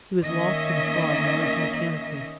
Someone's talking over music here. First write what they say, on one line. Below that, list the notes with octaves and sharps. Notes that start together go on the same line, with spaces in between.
He was lost in thought and moved mechanically.
D#3 A#3 C#4 D#5 E5